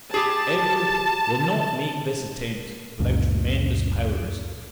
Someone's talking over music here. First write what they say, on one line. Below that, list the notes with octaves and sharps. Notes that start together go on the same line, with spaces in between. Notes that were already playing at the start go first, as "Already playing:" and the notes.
Edward will not make this attempt without tremendous powers.
G4 G#4 A5
C#2 F#2 A#2